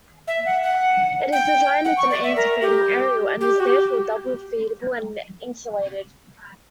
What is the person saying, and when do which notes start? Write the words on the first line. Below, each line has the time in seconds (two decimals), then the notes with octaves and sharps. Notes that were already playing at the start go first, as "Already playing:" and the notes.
It is designed as an antifading aerial and is therefore double-feedable and insulated.
0.28 E5
0.46 F#5
0.63 F#5
1.32 G5
1.85 F#5
1.97 C#6
2.10 D5
2.24 E5
2.36 A#4
2.62 G4
3.41 G4
3.60 F#4
3.66 G4